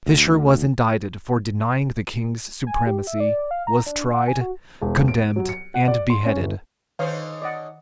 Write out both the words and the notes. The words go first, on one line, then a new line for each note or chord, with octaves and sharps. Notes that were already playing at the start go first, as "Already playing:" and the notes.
Fisher was indicted for denying the king's supremacy, was tried, condemned, and beheaded.
D2
G#5
G4
E5
D5
F5
A#5
D4
F#5
G#5
F#4
E1
D7
F#3
C#7
F#5
D5
C6
C#4
G1
D3 D#3 C#4 D#4 C5 C#5 F5
D5 D#5 F#5